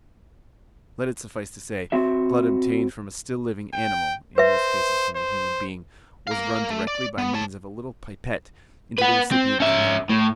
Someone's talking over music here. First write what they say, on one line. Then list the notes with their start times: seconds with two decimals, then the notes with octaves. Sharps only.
Let it suffice to say, blood obtained from a still living animal, in most cases from a human being, was run directly by means of a little pipette into the recipient canal. . . .
1.92 C4 F#4 E5
3.73 G5
4.38 B4 C5 E5
5.16 C5
6.27 A#4 F5
6.70 A3
6.87 D5
7.18 B3
7.34 C#5 A5
8.99 B4 F#5
9.32 C4
9.60 C#4 E5
10.10 A2